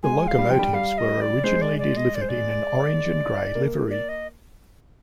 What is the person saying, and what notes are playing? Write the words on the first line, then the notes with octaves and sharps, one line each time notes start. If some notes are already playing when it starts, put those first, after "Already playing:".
The locomotives were originally delivered in an orange and grey livery.
G#3 G#5
F5
G3
F3 G5
G3
G3 F5
D#5
D5
G#3 C5
D5
D5
D#5
D5
C5
D5
A#3
D5
D#5